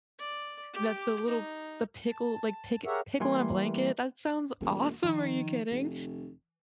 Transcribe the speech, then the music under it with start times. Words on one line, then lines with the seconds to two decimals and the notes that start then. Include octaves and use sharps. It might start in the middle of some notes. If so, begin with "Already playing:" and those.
that the little the pickle, like, pick pickle in a blanket. That sounds awesome. Are you kidding?
0.19 D5
0.73 G4 D6
1.28 D#4
2.06 A5
2.86 G4 G#4 A#4 C#5 E5 F#5
3.20 E3 G3 A#3 G#5 C6
4.61 E1 E3 A#3
5.04 D#3 F3
5.71 F1 D#3